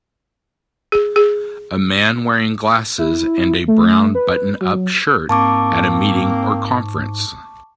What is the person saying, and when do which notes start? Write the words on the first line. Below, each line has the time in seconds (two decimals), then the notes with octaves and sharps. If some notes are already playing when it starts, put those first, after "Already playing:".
A man wearing glasses and a brown button up shirt at a meeting or conference.
0.92 G#4
1.16 G#4
2.98 E4
3.68 A3
4.15 B4
4.61 F#3
5.29 G#2 A#3 C4 A5 C#6 D6